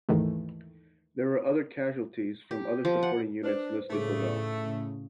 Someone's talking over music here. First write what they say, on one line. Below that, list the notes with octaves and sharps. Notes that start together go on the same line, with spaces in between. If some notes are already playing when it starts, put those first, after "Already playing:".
There were other casualties from other supporting units listed below.
D#2 G#2 D#3 E3 A3
G4
F3
F#5
D4 B4 C5
A2 C#3 A3 D#4 G#4